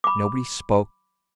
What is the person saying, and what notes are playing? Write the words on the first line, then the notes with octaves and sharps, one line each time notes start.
Nobody spoke.
B5 D6